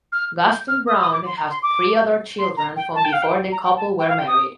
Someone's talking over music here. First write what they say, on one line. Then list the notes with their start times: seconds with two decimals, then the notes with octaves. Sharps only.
Gaston Browne has three other children from before the couple were married.
0.12 F6
0.50 G6
0.68 F6
0.87 D#6
1.01 D#6
1.12 D6
1.26 C6
1.37 A#5
1.50 C6
1.62 D6
2.38 C6
2.57 A#5
2.76 G5
2.95 A5
3.04 G5
3.13 F5
3.22 G5
3.52 A#5
3.64 G5
3.76 A5
3.99 G5
4.09 F5
4.18 G5
4.27 D#6